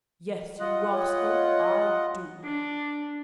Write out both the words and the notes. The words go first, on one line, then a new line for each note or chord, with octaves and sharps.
"Yes, you rascal, I do."
F4 D#5 F#5
C#5
D4